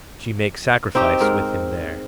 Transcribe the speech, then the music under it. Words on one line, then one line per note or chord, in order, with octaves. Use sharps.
She makes sacrifice with him there.
C4 D#4 G4
G#2 A#4